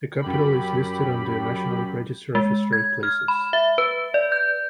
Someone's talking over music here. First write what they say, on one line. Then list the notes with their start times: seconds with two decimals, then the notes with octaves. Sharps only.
The Capitol is listed on the National Register of Historic Places.
0.21 F#2 G4 B5
2.35 G#3
2.73 G#6
3.03 F6
3.28 B5
3.53 E5
3.78 B4
4.14 D5
4.32 G6